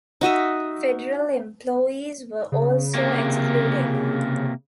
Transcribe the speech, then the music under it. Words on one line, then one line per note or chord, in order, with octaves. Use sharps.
Federal employees were also excluded.
D#4 F#4 D#5 E5
C#3
C3 A#3